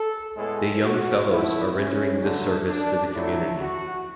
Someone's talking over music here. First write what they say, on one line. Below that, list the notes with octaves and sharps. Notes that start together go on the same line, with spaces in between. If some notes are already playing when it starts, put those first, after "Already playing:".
The young fellows are rendering this service to the community.
Already playing: A4
A2 G#3 B3 A4
F#4
B2 A3 E4
C#4
D3 F#3 A3 D4
D4
A2 F#3 A3 E4
F#4